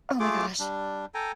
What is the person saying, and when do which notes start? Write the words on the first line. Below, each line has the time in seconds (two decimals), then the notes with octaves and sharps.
Oh my gosh.
0.20 A3 F4 G#4 D6
0.60 G3 D4
1.14 A4 G5 G#5 A#5